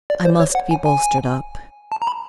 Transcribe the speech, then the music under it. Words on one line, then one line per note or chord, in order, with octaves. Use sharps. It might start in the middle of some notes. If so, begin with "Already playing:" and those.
I must be bolstered up.
D5
C5
C#5
F#5
G#5
G#5
A5
A#5
B5